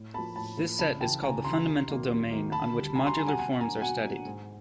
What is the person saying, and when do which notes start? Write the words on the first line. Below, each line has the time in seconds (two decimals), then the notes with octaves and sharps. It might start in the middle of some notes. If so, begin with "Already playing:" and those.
This set is called the fundamental domain on which modular forms are studied.
Already playing: A2
0.14 A#3 A5 B5
0.18 F3
0.36 A2 A5 B5
0.57 F3 A#3
0.79 C#2 A5 B5
1.00 C#3 E3 G5 A5
1.23 C#2 G#5 A#5
1.44 C#3 E3 A#5 C6
1.66 D#2
1.88 D#3 F#3 A#3
2.09 D#2
2.30 D#3 F#3 A#3
2.52 D2 A5 B5
2.75 D3 G3
2.95 D2 G#5 A#5
3.06 A#5 C6
3.17 D3 G3 G#5 A#5
3.28 F#5 G#5
3.39 B2 F#5 G#5
3.60 F#3 A#3 D4 G#5 A#5
3.82 B2 F#5 G#5
4.04 F#3 A#3 D4
4.25 G#2